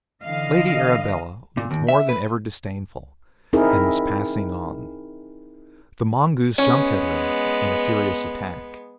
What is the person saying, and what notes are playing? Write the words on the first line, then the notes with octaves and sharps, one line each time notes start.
Lady Arabella looked more than ever disdainful and was passing on; the mongoose jumped at her in a furious attack.
D3 E3 D#5 F5
A#2
D#2
E5
B4
C4 D#4 E4 G#4 A#4
G#3 B3 C#4